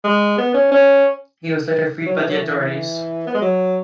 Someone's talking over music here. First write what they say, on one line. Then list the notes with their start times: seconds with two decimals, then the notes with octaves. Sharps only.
He was later freed by the authorities.
0.04 G#3
0.38 B3
0.54 C#4
0.72 C#4
2.06 F#3
2.17 E3
2.28 F#3
2.40 E3
3.27 B3
3.34 G#3
3.42 F#3